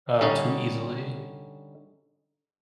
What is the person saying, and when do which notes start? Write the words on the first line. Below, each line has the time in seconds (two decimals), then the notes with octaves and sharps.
uh, too easily.
0.21 D3 G3 C#4 D#4